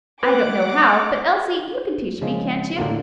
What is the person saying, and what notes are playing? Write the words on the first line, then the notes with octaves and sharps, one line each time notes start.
"I don't know how; but Elsie, you can teach me, can't you?"
B4 F#5 D6
C#3 F3 G#3
A2 D3 A#3 F4